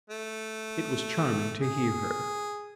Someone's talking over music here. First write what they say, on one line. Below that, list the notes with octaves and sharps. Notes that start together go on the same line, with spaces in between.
It was charming to hear her.
A3
G#4